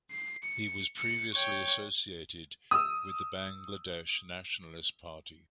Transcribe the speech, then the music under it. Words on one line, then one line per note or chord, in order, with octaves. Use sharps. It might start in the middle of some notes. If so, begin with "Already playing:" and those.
He was previously associated with the Bangladesh Nationalist Party.
C7
C#7
C#7
C#5 G5
D#6 E6